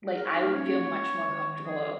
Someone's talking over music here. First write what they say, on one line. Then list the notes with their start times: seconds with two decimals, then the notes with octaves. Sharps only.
like, I would feel much more comfortable
0.15 G#4 A#4
0.25 C#5
0.34 D#4 A#4
0.45 A#3
0.53 C#4 C#5
0.66 C#4
0.72 A#3
0.91 G#3
1.28 D#3
1.66 F3 G#4